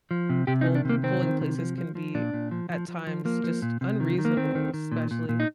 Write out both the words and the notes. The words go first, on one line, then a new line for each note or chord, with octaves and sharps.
pol polling places can be, at times, just unreasonable, especially
F3
C3
C3 G4
D#4
D#3
D4
C3 A#3
D#3 C4
D#3
C3
F3
F3
F3
A#2 D4
A#2
F3
F3
F3
F3
F3 A#3
F3
A#2
C3
D#3
D#3
A#3
D#3 C4
D#3
D#3
A#2
A#2
A#2
D#4